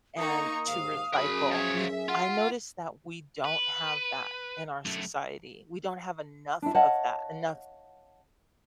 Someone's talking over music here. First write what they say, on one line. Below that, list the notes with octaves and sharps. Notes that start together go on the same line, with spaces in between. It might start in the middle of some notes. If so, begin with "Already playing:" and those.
and to recycle, we I notice that we don't have that in our society, we don't have enough of that, enough
A#3 D#4 C#6 D#6
D#2 G#2 F5
F#2 C#4 G#4 A#4 B5
F3 C#5 E5
F4 F#5
B4
F#2 A3
D4 E4
C#5 D#5 F5 F#5 A5